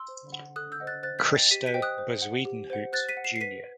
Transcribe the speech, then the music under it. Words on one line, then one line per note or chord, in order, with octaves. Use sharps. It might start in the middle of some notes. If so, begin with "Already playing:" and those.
Christo Bezuidenhout Jnr.
Already playing: C6 E6
C5
F#5
A4 D#6 F#6
E6 G6
C5 D#5 F#5
F#6 A6
C5 F#6 A6
G6 B6
D#5 G5
A6 C7
G4 B6 D#7
B6 D#7
C5 D#5 G5
D#6 F#6
C5
F#5
G4
C5 F#5
C5 F#6 A6
B6 D#7
F#5
C7 E7
C7
B4 B6 D#7